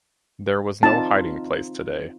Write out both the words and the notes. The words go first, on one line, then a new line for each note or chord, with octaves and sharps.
There was no hiding place today.
C4 D#4 F4 A5